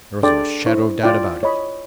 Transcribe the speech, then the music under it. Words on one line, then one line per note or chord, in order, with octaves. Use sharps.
There wasn't a shadow of doubt about it.
D4 G#4 A4 D5 G5 C6
E4 C5 C#6
F4 D5 G5
C#5 D#5 B5